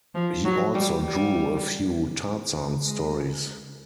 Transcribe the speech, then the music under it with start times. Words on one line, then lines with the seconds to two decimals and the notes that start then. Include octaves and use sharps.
He also drew a few Tarzan stories.
0.15 F3
0.45 F#3
0.74 G3
1.04 G3
2.84 G#3